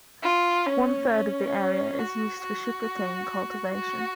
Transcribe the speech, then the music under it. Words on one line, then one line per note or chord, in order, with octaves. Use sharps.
One third of the area is used for sugar cane cultivation.
F4
C#4
C#4
F#4
F#4
F#4